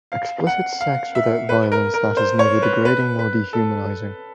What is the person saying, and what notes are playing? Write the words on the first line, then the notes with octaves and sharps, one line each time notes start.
Explicit sex without violence that is neither degrading nor dehumanizing.
F5
F#5
F5
E5
B4
A#4
A#4
C5
C#5
B4
B4
B4
A4